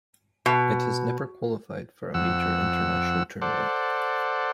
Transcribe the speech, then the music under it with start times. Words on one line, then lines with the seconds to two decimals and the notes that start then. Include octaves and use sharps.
It has never qualified for a major international tournament.
0.46 B2
2.14 F2 F#5 E6
3.42 A4 C5 D5 F#5